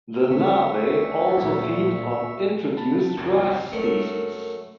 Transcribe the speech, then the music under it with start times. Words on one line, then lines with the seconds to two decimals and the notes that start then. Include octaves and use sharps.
The larvae also feed on introduced grass species.
0.30 D2 C#3 A3 E5 C#6
1.37 A#2 F#3 E4
2.77 A5 B5
3.17 G#1 C#2 F#2 A#3 F#4
3.42 D#2 G#2 C3 G3 C4
3.72 F#2 A3 A#4